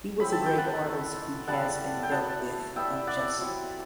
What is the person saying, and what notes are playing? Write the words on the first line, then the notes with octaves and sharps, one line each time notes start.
He was a great artist who has been dealt with unjustly.
F#3 C4 E4 B5
A5
G5
F#5 A5
A3 E4
G3 B3 E4 F#5 A5
G5
F#3 B3 E4 F#5 A5
G3 B3 E4 E5 G5
D5 F#5
F#3 C4 E4